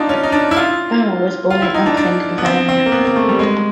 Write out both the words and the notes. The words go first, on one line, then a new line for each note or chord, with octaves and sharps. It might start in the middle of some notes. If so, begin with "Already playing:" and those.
Baur was born in Ampfing, Bavaria.
Already playing: D4 D#4 F4
C#4
D#4
D4
E4
F4
F4
E4
D#4
D4
D4
B3
C4
C4
A#3
B3
A#3
A3
G3
G#3